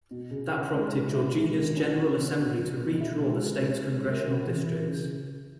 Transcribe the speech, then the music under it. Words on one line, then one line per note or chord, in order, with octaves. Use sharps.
That prompted Georgia's General Assembly to re-draw the state's congressional districts.
B2
C#3
E4
G#3
C#3
E4
G#3
D#3
C#4
F#3
B2
B2
F#3
B2
E4
G#3
C#3
C#3
G#3
F#2
C#4
E3
C#3
C#3